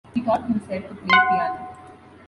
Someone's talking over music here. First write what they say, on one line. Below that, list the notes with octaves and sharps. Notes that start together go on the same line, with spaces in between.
He taught himself to play piano.
F#5 C6